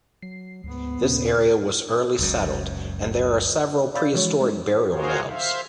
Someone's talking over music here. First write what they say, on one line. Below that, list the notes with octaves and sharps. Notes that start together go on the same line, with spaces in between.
This area was early settled, and there are several prehistoric burial mounds.
F#3 C7
D2 G#2 B3
D#2 A#2 C#3
F#1 C#2 F#2
D5 F5 B5 E6 G6 A6
C#3 E3 F3 G#3 F#4 C#5
G#3 D#4
F4 F#4 G#4 A#4 C5 C#5
C5 E5 F5